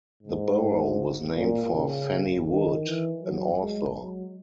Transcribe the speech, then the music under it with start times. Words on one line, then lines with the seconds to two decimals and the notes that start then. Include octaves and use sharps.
The borough was named for Fannie Wood, an author.
0.23 G#2
1.36 A#2
1.73 C#3
2.48 D#3
2.85 E3
3.23 F#3
3.61 G#3
3.98 F#3